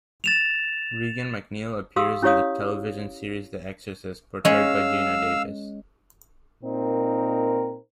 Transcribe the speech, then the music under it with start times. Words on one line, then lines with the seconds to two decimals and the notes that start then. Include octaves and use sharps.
Regan MacNeil appears in the television series "The Exorcist" portrayed by Geena Davis.
0.24 A6 E7 F7
1.96 G4 F5 C6 D#6 E6
2.23 C#4 E4 G4 C#5 F5 D#6
4.45 G#3 C#4 F5 E6
6.63 A#2 C4 D#4 A#4